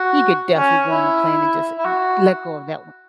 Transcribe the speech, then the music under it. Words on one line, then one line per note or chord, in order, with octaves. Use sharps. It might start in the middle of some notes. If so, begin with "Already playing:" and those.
you could definitely go on a plane and just l let go of that one.
Already playing: F#4
C#4
E4
E4
F#4